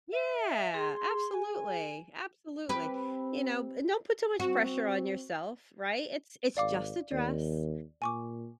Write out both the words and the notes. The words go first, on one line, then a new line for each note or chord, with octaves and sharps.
Yeah, absolutely, absolutely. You know b don't put too much pressure on yourself, right? It's it's just a dress,
E5
G#4 C6
G#5
C4 G4 B4
C4 F#4
G#1 D5 F5 D6
D#2 D5
A#2 G#5 C#6 D6